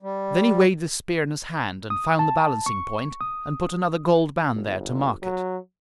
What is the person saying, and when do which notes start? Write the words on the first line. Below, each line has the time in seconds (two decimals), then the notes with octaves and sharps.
Then he weighed the spear in his hand and found the balancing point and put another gold band there to mark it.
0.02 G3
1.90 D#6
2.19 A5
2.66 C#6
3.21 D#6
4.52 G1
5.22 F#3